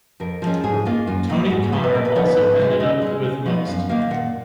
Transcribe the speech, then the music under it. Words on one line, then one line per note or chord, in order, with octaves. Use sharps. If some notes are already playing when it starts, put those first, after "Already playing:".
Tony Connor also ended up with Most.
F2 A#4
F3 G#3 C#4
G#2 G#4
D#3 A#3 F4
F#2 F4
D#3 A#3
G#2 F#4
F3 B3 B4
B4
A#2 A#4
B4
F3 B3 D#4 C#5
B4
G#2
D#3 G#3 D#4
C#3 D#5
G#3 C#4
C#3
F3 B3 D#4
F#2 F5
D#3 A#3 F5
A#2 F#5